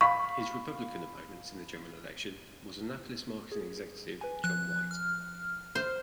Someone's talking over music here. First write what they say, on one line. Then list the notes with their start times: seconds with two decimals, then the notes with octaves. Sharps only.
His Republican opponent in the general election was Annapolis marketing executive John White.
0.01 F5 B5 C#6 B6
3.52 G#4
4.21 B4 G#5
4.44 F3 F#6
4.91 F6
5.75 C5